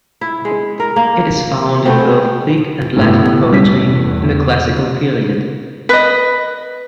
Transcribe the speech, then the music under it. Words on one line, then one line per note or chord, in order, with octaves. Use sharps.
It is found in both Greek and Latin poetry in the classical period.
E4
G#3
A#4
A#3
A3 B3 C4
G#3
G1 A2 B3
E2 G3 C#4 B6
B4 D#5